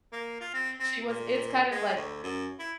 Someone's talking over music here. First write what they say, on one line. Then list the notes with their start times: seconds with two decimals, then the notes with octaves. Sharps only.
She was it's kind of like
0.12 A#3
0.41 F4
0.54 C4
0.80 C4
1.07 A#2
1.71 G#3
1.96 D2
2.23 F#2
2.59 E4